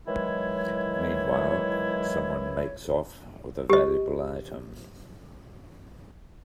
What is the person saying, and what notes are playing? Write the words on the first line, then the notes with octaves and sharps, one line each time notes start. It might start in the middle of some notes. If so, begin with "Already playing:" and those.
Meanwhile, someone makes off with a valuable item.
D#3 E3 F#3 G#3 E4 C#5
G4 D#5